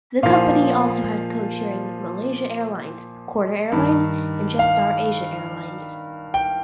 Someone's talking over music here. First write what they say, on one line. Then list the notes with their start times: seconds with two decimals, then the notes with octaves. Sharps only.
The company also has code-sharing with Malaysia Airlines, Qatar Airways and Jetstar Asia Airways.
0.23 A#2 F3 F5
3.72 G2 D#3
4.59 F5
6.34 G5